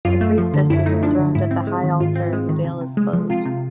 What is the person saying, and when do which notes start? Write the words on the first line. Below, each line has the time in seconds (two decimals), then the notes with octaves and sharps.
The Priestess is enthroned at the High Altar and the veil is closed.
0.05 F#2 F4
0.21 A3
0.38 F3
0.54 D3
0.70 F#2 E4
0.86 A3 D#4
1.03 F3 D4
1.19 D3
1.35 G#2 E4
1.51 C4
1.67 G#3
1.83 D#3
2.00 G#2 F4
2.16 C4
2.33 G#3
2.49 D#3
2.64 C3
2.81 C3
2.97 G#3
3.13 F3
3.30 C3 F4
3.46 C3